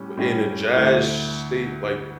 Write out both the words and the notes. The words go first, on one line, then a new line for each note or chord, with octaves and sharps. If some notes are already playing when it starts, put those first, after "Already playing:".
in a jazz state? Like,
Already playing: A2 G3 C#4
A2 G3 C#4
D2 D3 A3 E4